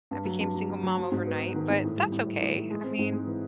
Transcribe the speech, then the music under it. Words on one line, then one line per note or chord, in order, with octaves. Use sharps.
I became single mom overnight, but that's okay, I mean,
G2
F#3
G2
F#3
F#3
F#3
F#3
G#2
B3
B3
D#3
G#2
A2
G3
A2
G3
A2
E3
G#3
C4
G#2
G#3
E3